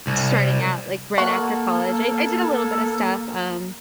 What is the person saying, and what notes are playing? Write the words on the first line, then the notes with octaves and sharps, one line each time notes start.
starting out, like, right after college. I I did a little bit of stuff, um,
C2
A#3 F#4 A4